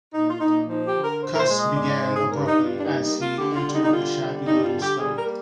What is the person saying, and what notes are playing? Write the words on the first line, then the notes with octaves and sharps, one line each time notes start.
Cuss began abruptly, as he entered the shabby little study.
A#2 D#4
F4
A#2 D#4
F3 D#4
G4
D3
A#4
A#2 C5
A#4
C5
G#3
D#5
G#2 D5
D5
G#2 C5
G#4
G2 A#4
D#4
G3
F4
D4
A#3 D#4
D#4
A#3
F4
D3 G4
F4
G3
D#4
D#4
D3 F4
G3
G2 D#4
F4
D3
G4
G3 G#4
A#4
A#3